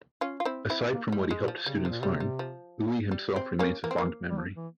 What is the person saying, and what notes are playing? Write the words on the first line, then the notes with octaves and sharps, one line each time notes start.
Aside from what he helped students learn, Uli himself remains a fond memory.
C#4 F4
F4
C4 E4
C4 E4
A#3
G3
G#3
G#3
A#2
F3
C#3 G3
C3
A#2 F3
C3 G3
G3
F3
G3
C4
A#3 C#4
E3 A#3
C4
E3 A#3
G3
F3
E3